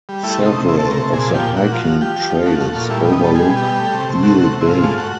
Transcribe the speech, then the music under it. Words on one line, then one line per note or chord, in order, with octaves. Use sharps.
Several of the hiking trails overlook Eel Bay.
G3
A3 E4
C3
D#4
C3
A3 E4
A4
C3
A#4
C3 A4
A#2 G#4
F3
G4
A#2
A#2 F#4
F3 F4
F#4
F3
F3 G4
F3
F3
A3 F#4
A3 F#4
A#2 F4
G3 E4
B2
D#4
G3 A4
G3 G#4
B2
G4
G3
A3
C3
C3
A3 F#4
C3
C3
E4
G#2 F4
A3 F4
A3 F#4